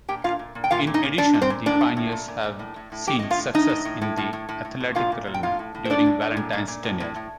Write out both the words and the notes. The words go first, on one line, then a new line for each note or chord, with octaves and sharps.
In addition, the Pioneers have seen success in the athletic realm during Valentine's tenure.
A#2 G4 G5
A#2 F4 F5
A#2
A#2
G5
A#2 F4 F5
A#2
D#4 D#5
A#2
A#2 D4 D5
A#2
C4 C5
A#2
A2 D4 D5
A2
A2
A#2
A#2
A#2
A2
A2
A2
A2 G4 G5
A2 D#5
F4 F5
A2
A2 D#4 D#5
A2
A2
A2
A2
A2
A2
A2
A2
A#2 F4 F5
A#2
A#2
G5
A2 F4 F5
A2
A2
C5
A2 D4 D5
A2
A2
A#2
A#2
A#2
A2
A2
A2